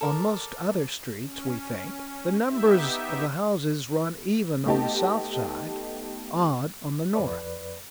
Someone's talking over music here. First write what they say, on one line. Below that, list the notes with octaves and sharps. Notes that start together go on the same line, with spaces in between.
On most other streets, we think, the numbers of the houses run even on the south side, odd on the north.
A4 A#4 D5
C#4
B3 D#4 G4 E5
A3 B3 D#4 G4 D#5 A5
F2 B4 D5